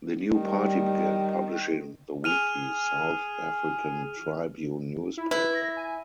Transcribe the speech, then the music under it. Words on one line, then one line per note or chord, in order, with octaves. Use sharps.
The new party began publishing the weekly "South African Tribune" newspaper.
D#3 G3
G#4 F6 D#7 F7
E4
E4 B4
A#6
G#5